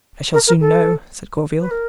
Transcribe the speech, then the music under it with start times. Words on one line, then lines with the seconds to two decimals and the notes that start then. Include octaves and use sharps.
"I shall soon know," said Gourville.
0.33 A#4
0.47 A#4
0.60 A4
1.60 B4
1.70 A#4